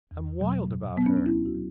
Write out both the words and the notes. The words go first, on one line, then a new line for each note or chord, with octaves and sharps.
I'm wild about her!
E2
B2 F#3
A#2
F#3 B3
C#4
D4
D2 E4
F#4
F#3